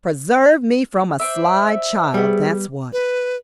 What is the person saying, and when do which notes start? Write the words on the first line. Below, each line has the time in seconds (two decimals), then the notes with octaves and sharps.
Preserve me from a sly child, that's what.
1.20 C5 D5 E5
2.14 G3 B3 G#4
2.93 B4